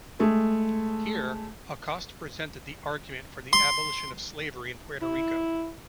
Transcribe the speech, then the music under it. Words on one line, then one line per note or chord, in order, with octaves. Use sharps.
Here, Acosta presented the argument for the abolition of slavery in Puerto Rico.
G#3 A3 G#4
C6
E4